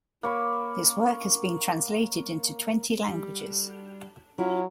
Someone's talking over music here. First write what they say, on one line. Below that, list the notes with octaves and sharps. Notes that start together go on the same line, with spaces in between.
His work has been translated into twenty languages.
A#3 C#5 B5
G3
F#3 C#4 E4 F4